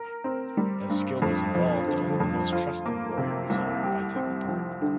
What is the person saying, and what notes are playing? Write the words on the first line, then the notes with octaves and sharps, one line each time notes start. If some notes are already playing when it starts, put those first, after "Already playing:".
As skill was involved, only the most trusted warrior was honored by taking part.
Already playing: A#4
C4
G3
G2
F2
F3
D3
F2
F4
A#3
C3
C2
G4
C4
F3
D3